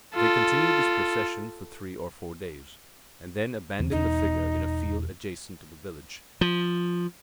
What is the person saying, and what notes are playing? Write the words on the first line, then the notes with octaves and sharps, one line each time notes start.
They continue this procession for three or four days, and then abandon the figure in a field adjacent to the village.
F4 A4
E2 C#3
E1 E2 D#4
F3